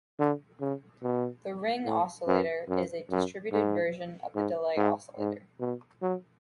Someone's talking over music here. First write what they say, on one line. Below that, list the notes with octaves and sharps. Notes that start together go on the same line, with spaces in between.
The ring oscillator is a distributed version of the delay oscillator.
D3
C#3
B2
A2
F#2
F#2
F#2
G#2
G#2
G#2
G#2
B2
F#3